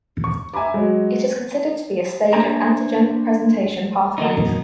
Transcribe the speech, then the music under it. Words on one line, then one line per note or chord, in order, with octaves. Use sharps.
It is considered to be a stage of antigen presentation pathways.
C#6
E5 G#5 A#5 B5 D6
F#3 G#3
A#3 D4 E4 C5 G#5 A#5
F#3 A#3 B3 D#4